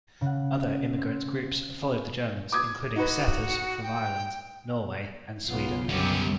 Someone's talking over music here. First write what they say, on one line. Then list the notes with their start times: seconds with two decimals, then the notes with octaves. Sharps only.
Other immigrant groups followed the Germans including setters from Ireland, Norway and Sweden.
0.21 C#3 F#5
0.98 C4
2.52 D6 D#6 G#6
2.96 D#4 F#4 B4
3.83 G5
5.46 B1 C#3 B3 F4
5.89 F#2 G3 B3 G4